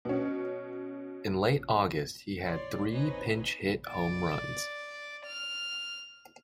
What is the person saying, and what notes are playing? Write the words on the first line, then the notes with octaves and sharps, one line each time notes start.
In late August, he had three pinch-hit home runs.
B2 C#4
C#5 D5 C6
C4 D#4 G#4 B4 C#5 D#5
D5
F6